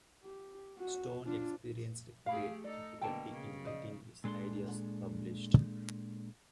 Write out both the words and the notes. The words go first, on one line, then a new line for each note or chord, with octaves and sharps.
Stone experienced great difficulty in getting his ideas published.
G4
F#4
D4 F4
A3 G4 G#4 F5 B5
D#4 A4 D5
B2 D3 A#3 G5 A5
C#3
C5 D5 D#5
A#2 G#3 D4 A4 C6